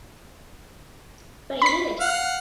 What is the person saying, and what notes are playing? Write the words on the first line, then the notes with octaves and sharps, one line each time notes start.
But he did it!
B5 B6
F5 F#5